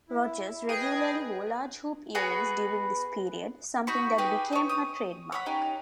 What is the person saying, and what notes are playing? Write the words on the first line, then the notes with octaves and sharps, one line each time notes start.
Rogers regularly wore large hoop earrings during this period, something that became her trademark.
E4
G#4 B4 D#5 G5
B3 F#4 G#4 B4
D#4 F#4 B5 C#6
D#4 G4 G#4 B4
D#4 C#5
D#6
C#5 F#5 B5
C#4 D#4 G4